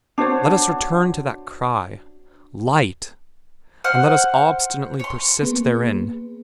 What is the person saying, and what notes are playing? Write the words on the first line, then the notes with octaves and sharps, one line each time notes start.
Let us return to that cry: Light! and let us obstinately persist therein!
D4 F#4 C5 C#5
C5 F#5 F6
C#5 C6
A#3 B3 G#4 B4